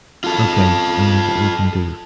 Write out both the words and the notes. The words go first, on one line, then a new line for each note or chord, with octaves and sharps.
OK, I know what we can do.
F4 A4